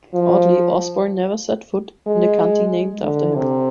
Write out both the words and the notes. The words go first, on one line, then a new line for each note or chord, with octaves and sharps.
Oddly, Osborne never set foot in the county named after him.
F3
G#3
D3
C3